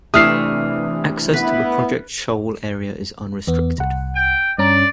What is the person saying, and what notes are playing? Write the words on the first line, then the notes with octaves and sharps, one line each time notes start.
Access to the Project Shoal Area is unrestricted.
C3 E3 A3 D4 D#6 F6 C7
B3 E4 B4
E2 B3
C2 F#5
G5
G2 C#4 D5 A#5